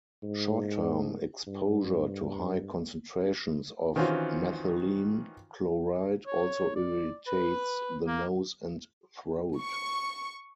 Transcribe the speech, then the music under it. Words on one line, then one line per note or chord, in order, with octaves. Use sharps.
Short-term exposure to high concentrations of methylene chloride also irritates the nose and throat.
G#2
G2
D#3 E3 C4 C#4 F4 F#4
C#5
D5
B4
A#3
C#6